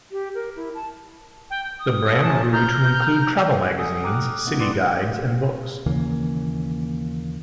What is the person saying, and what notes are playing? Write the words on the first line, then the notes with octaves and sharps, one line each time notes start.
The brand grew to include travel magazines, city guides, and books.
G4
A#4
E4
A5
G5
D#6
G#3 A#3 A4
C3 C#4 A5
A#5 F6 G6
A4 F#5 G#5 D#6
G5 A#5 D6 D#6 F6 F#6
A3 B3 D#4
G4 B4 D5 C6 D6 D#6
D#2 C#3 E3 A#3